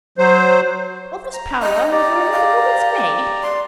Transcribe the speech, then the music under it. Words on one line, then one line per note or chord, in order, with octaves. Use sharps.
"All this powwow over another woman's maid!"
F#3 C5
A#5
D#5
G4 D5 A#5
F5
D5 C6